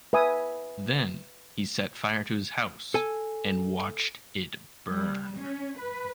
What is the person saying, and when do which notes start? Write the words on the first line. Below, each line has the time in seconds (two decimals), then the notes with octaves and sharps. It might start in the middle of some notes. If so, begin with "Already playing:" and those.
Then he set fire to his house and watched it burn.
0.13 B4 E5 G#5 D#6
2.94 A4 G#5
4.88 G3
5.38 C#4
5.80 B4